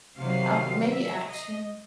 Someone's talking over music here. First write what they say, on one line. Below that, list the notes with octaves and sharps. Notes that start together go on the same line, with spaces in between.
Uh, maybe action.
C3 D#3 F#3 F5
E5
D#5